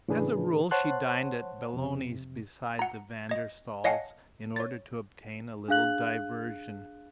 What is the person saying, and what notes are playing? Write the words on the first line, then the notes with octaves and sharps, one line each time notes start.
As a rule she dined at Belloni's, beside the Van der Staals, in order to obtain a little diversion.
A2 C#3 E3 D4 G#4 B4
C5 C#5 F#5 A5 C6 F#6
F2 C3
F#5 A#5
D#5 G#6
C#5 D#5 F5 F#5 G#5 A5
C#5 A6
D4 G#4 F5 F#6 F#7